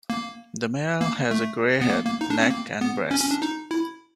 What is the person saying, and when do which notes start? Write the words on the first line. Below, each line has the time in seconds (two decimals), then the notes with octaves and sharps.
The male has a grey head, neck, and breast.
0.10 A#3
1.01 A#3
1.31 A3
1.81 B3
1.90 A#3
2.06 A#3
2.21 D#4
2.30 D4
2.41 C4
2.50 A#3
2.81 B3
3.11 C#4
3.21 C#4
3.31 D4
3.42 D#4
3.71 E4